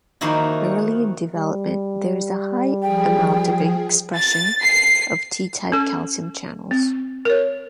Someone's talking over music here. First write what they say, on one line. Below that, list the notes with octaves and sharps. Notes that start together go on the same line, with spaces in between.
Early in development, there is a high amount of expression of T-type calcium channels.
D#3 F3 A#3 E4 F#4
G3
F3 G#4 G5
A6
C7
C#4 A4
C4
A#4 C#5